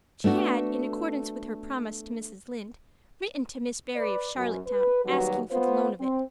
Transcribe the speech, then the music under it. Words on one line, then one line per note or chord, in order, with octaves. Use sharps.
She had, in accordance with her promise to Mrs. Lynde, written to Miss Barry of Charlottetown, asking for the loan of it.
A3 B3 D4 F#4
B4 D5
F#2
B4
D#2 F#3 G3 F#4 B4
B3 F4 B4 C5
C4